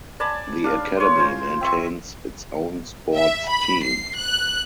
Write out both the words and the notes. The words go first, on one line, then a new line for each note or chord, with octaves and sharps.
The academy maintains its own sports team.
D5 G#5 A5 B5
D4 F5
C#5 C6
F4 C5 G#5 A#5
C4 E5 C#6
E5
B5
C7
F#6